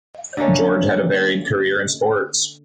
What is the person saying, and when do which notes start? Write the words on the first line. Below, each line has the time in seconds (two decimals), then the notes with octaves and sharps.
George had a varied career in sports.
0.37 D3 A3 A#3 C#4